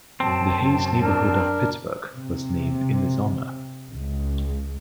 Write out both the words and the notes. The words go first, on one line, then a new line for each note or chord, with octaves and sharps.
The Hays neighborhood of Pittsburgh was named in his honor.
F#2 C4 A5
D4 A#4
C3
C#2